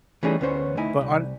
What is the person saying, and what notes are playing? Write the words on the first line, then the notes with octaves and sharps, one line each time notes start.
But hone
E3 G3 A3 C#4 D#4 G#4
D2 B3 C#4 C5 C#5
A3 D#4 E4 G#5
C2